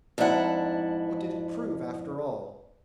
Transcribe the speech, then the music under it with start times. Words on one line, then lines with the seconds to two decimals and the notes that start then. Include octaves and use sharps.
What did it prove after all?
0.18 F2 G#2 D4 E4 F#5